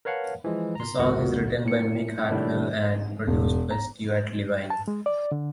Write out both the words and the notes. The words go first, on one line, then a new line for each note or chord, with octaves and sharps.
The song is written by Mick Hucknall and produced by Stewart Levine.
A#4 B4 C#5 F5 F#5 A5
E3 F3 G#3
A#5 C6
G#1 C#2 A#2 F#4 A#4 F#5
A2 C#7
A2 C3 D#3 G3 D4 E4
E1
A#5
A5
G#3
D5
D3